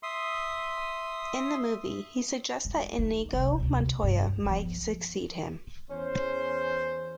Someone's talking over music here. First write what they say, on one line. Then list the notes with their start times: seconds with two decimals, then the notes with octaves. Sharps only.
In the movie, he suggests that Inigo Montoya might succeed him.
0.03 E5 C6 D#6
2.65 G#3
2.99 D#4
3.33 F#1 C2
3.60 D2 C3
4.03 G2
4.46 F3 B3
5.90 E2 C#4 C5